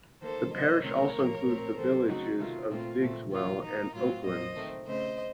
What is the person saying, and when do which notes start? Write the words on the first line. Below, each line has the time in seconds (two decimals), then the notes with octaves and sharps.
The parish also includes the villages of Digswell and Oaklands.
0.22 D#3 A#3 A4 C5
0.52 C3 F#3 A#3 C5 D#5
0.83 C3 D#3 A3 C4 A#4 C#5
1.15 A2 F3 A#3
1.46 A#2 A3 C4
1.76 C3 D#3 F#3 C4 A4 C5
2.08 C#3 F#3 A3 C4 D#4 F#4
2.39 C3 D#3 F#3 A3 F4
2.70 A#2 A3 C4 F4
3.00 A#2 A3 C4
3.31 A#2 F#3 A#3 F4
3.63 D#3 A#3 D#4
3.93 A2 F#3 C4 F4
4.25 A#2 F#3 A#3 C5 D#5
4.56 D#3 A3 C4
4.87 C#3 A3 C4 C5 D#5